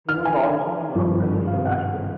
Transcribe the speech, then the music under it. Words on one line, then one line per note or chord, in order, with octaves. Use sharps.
He was also a Moroccan international.
F6
G#5
G#1 G2 F3
F5